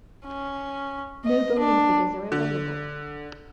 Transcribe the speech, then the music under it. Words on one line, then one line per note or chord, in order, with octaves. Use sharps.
No bowling figures are available.
C#4
D#5
D4
D3